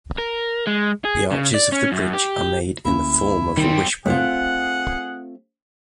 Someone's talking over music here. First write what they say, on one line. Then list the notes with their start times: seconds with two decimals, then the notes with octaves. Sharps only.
The arches of the bridge are made in the form of a wishbone.
0.18 A#4
0.67 G#3
1.05 G#4
1.31 C#3
1.54 D5
1.72 C#4
1.92 F#2
2.13 G4
2.85 D2 A#3 C#4 E4
3.57 D#3 G3 C4
4.06 A3 C4 F4 G#4 F#5